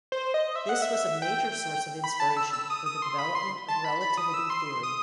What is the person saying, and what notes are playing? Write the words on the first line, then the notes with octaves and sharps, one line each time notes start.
This was a major source of inspiration for the development of relativity theory.
C5
D#5
E5
F#5
E5
G5
B5
A5
E6
E6
D#6
D#6
C6
B5
C6
A5
B5
B5
D#6
E6
C6
D#6